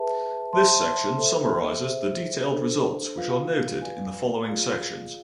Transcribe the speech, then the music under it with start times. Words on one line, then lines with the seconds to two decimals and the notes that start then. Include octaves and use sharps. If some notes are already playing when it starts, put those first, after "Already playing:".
This section summarises the detailed results which are noted in the following sections.
Already playing: G#4 B4 E5 A5
0.53 C5 E5 A5 C6
1.18 A4 C5 E5
1.84 G#4 C5 E5
2.51 D4 A4 C5
3.16 F4 B4 F5
3.81 B4 D5 F5 G#5
4.47 F4 G#4 D5 F5